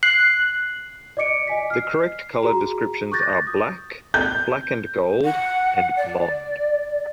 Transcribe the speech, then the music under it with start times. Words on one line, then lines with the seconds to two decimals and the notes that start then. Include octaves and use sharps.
The correct color descriptions are black, black and gold, and blond.
0.03 F#6 C7
1.17 D5 D#5 D6 C#7 D7
1.47 D#5 G#5 B6
1.70 F6 C7
2.43 F#4 G#4 A#5
3.12 C#6 D6 F#6 G6 A6 A#6
3.47 D#6
4.14 G6
5.24 F#5
5.97 D5